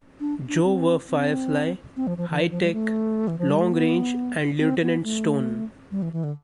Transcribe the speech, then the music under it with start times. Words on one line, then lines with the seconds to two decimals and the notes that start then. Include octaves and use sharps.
Joe were Firefly, Hi-Tech, Long Range and Lieutenant Stone.
0.21 D4
0.48 D4
0.64 C4
1.09 C4
1.97 C4
2.07 F3
2.18 F3
2.29 E3
2.39 F3
2.51 F3
2.62 G3
2.72 A3
3.28 E3
3.38 F3
3.49 G3
3.61 A3
3.71 B3
4.59 C4
4.82 B3
5.04 A3
5.91 G3
6.02 E3
6.13 E3
6.24 D3